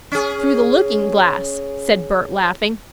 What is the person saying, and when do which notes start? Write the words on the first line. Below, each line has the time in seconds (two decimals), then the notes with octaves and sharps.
"Through the looking glass!" said Bert, laughing.
0.12 C#4 G#4